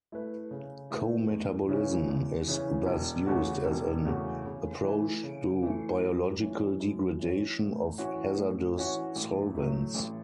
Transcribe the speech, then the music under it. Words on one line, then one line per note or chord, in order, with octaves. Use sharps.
Co-metabolism is thus used as an approach to biological degradation of hazardous solvents.
A3 E4 B4
C#3
A3 E4 B4
E2
C#3 E3 C#4
E2
C#3 E3 C#4
E1
E2 C#3 A3 F#4
E1
E2 C#3 A3 F#4
C#3
E3 A3
C#3
E3 A3
F#2
E3 C#4
F#2
E3 C#4
A2
E3 C#4 F#4
A2
E3 C#4 F#4
A1
A2 F#3 A3
A1